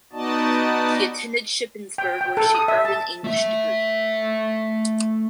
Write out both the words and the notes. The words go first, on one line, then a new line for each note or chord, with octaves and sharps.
She attended Shippensburg where she earned an English degree.
B3 D#4 F#4 D5 D#5 A5
G5
G5
A4
D#6
E5
A5
A3 E5